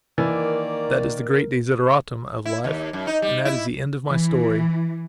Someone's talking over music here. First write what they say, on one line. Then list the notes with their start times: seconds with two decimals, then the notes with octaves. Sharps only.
That is the great desideratum of life, and that is the end of my story.
0.18 D#3 E3 A#3 A#4 D5
2.45 E4
2.64 D#2
2.93 F#2
3.07 D#4
3.22 G3
3.45 E4
4.11 E3